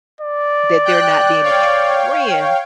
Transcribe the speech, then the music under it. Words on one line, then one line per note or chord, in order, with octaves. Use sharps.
that they're not being a true friend,
D5
G5 F#6
C#5 F5 G5